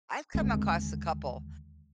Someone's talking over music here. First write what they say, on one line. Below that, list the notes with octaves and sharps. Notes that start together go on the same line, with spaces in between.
I've come across a couple,
D#2 D3 G#3 C4